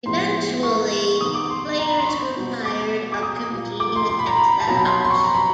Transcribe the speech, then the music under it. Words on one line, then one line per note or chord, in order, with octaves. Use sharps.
Eventually players grew tired of competing against the house.
A2 F3 G#3 B3 C6
C#6
G#2 D#3 G3 B3 D#6
D6
C6
A#5
B5
C6
C#6
B2 G3 B3
D6
D6
D#6
A#2 G3 A#3
D6
C6
C6
B5
A#5
B5
A5
B2 F#3 A#3 A#5
B5
C6
C6
C#6
A#5
B5